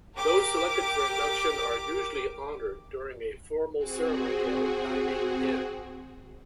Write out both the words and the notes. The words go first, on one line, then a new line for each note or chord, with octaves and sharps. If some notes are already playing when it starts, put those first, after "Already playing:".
Those selected for induction are usually honored during a formal ceremony at a dining-in.
G4 A#4 D6
C4 F#4 G#4